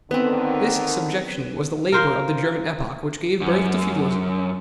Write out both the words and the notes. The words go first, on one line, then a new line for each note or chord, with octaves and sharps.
This subjection was the labor of the German epoch which gave birth to feudalism.
D3 D#3 B3 C4 B4
A#4 C5 F5
F#2